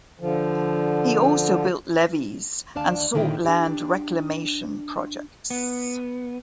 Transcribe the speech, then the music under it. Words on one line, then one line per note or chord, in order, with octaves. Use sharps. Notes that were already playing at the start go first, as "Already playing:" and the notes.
He also built levees and sought land reclamation projects.
D3 F3
D2 D#3 D4 D5 F5 A5
A#2 D3 D#3 E4 C5 G5
D4 G4
B3